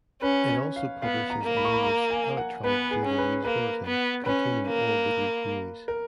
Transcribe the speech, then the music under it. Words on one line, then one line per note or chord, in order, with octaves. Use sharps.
It also publishes an English 'Electronic Daily News Bulletin' containing all the Greek news.
C#4 B4
C#5
F5
B3 F5
A#5
A#3
B5
C#6
B5
A#5
G#5
F#5
B3 B4
G#4
C#4
B4
A#3 B4
B3
C#4 B4
A#3
A#4